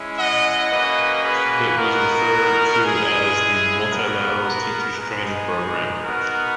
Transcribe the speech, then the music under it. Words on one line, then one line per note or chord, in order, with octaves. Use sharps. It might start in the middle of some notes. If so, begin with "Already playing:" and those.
It was referred to as the Multilateral Teachers' Training Programme.
Already playing: G#3 C#4 E4
D#5 F#5
A#3 C#4 F#4 B4 D#5
G#4 B4
B3 D#4 F#4 A#4
G#3 C#4 E4 G#4
B3 F#4 A#4
G#3 B3 D#4 G#4
B3 D#4 F#4 A#4